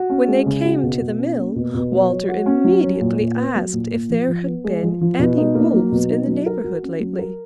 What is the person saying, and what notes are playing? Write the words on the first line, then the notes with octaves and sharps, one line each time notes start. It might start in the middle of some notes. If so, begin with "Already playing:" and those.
When they came to the mill Walter immediately asked if there had been any wolves in the neighbourhood lately.
Already playing: F#4
C#4
G#3
C#3
F#4
B2
B2
C#4
A#3
B2
B2
F#3
C#5
F#4
C#4
F#3
C#5
A#2
A#2
B3
F#3
A#2
A#2
F3
F3
B3
G#3
F3
F3
B2
D#4
A#3
F#3
B2
D#4
F#3
A#4
F#4
C#4
F#3
A#4